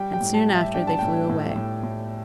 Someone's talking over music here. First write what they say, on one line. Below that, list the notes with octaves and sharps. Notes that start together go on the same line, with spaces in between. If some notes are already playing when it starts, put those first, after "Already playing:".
And soon after they flew away.
Already playing: G3 G5
G5
A2
A5
G3
E5
D4 G5
A5
A2 G5
A2
A2
A2